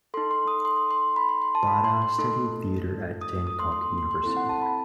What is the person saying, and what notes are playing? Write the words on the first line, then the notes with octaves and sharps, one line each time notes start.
Bada studied theater at Dankook University.
D#4 A4 C6
C6
D#6
C6
C6
B5
C6
C6
A5
B5
C6
C6
A3 D#4 A4
D#6
D#6
C6
C6
C6
C6
C4 E4 A4
F#5
A5
B5